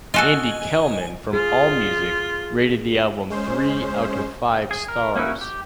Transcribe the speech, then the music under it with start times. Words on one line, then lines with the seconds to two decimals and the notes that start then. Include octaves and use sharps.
Andy Kellman from Allmusic rated the album three out of five stars.
0.14 F4 F#4 A4 D#5 G#5
1.33 F4 G#4
3.30 G#3 C#4 C5
4.71 G#4
4.88 A#4
5.16 A#3 C#4 D#4 E4 F#4
5.41 G4